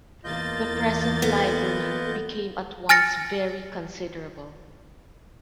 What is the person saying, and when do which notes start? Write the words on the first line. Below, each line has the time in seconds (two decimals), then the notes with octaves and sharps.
The present Library became at once very considerable.
0.24 E2 A#3 F4 D#5 G6 A6
1.22 B3 A4
2.89 G#5 F6 A6 A#6 C#7